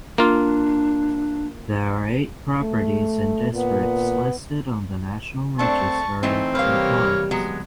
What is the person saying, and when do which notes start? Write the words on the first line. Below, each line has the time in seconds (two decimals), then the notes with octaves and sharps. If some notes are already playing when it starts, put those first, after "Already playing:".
There are eight properties and districts listed on the National Register in the parks.
0.18 A#3 D4 F4
2.62 A3
3.53 A#2 B3
5.59 A3 C4 D4 A5 C#6
6.23 E3 A3 C4 D#4
6.55 C3 E3 G3 A#3 B4 C#5 F5 F6
7.31 F#3 G#3 B3